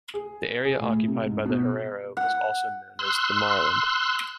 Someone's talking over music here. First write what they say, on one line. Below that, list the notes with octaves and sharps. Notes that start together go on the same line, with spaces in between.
The area occupied by the Herero was known as Damaraland.
G#4
G#4
A2
C3
G#2
B2
F#5
C6 E6 F#6